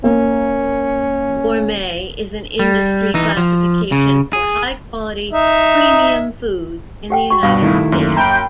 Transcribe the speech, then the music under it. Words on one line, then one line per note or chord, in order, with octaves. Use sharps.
Gourmet is an industry classification for high-quality premium foods in the United States.
A#3 C#4
G3
E3 D#4
F3
C#3
G#4
D#4 E5
G4 F#5 G5
F#4 C#6
G2 B2 G3 F5
D#3 A3 E4
F#2 A#3
G5 A#5 B5